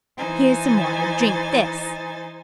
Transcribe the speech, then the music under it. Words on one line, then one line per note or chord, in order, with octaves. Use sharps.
"Here's some water, drink this!"
E3 D#4 C5 G#5 A6